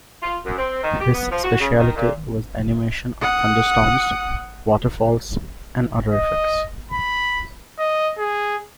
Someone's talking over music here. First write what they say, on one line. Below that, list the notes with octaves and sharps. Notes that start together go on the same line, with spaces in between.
His specialty was animation of thunderstorms, waterfalls and other effects.
F4
F#2
C4
D#3
G4
B3
F3
F#4
C#3
D#3
A#2
F#5 D#6
D#5
B5
D#5
G#4